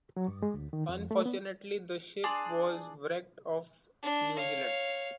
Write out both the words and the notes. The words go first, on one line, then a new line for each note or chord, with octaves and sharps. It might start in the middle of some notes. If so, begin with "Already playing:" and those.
Unfortunately the ship was wrecked off New Zealand.
F#3
G2
G#3
D2
D#3
F2
A3
B3
D4 G#4 D5 C6
D4
C#5 F5